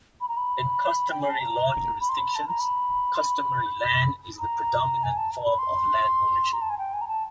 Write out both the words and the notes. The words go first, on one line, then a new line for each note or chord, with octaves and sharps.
In customary law jurisdictions, customary land is the predominant form of land ownership.
B5
A#5
B5
G5
G#5
A5
A#5
B5
C6
B5
A5
A#5
B5
C6
B5
A#5
G#5
A5
A#5
B5
C6
A#5
A5
G#5
G5
G#5
A#5
A5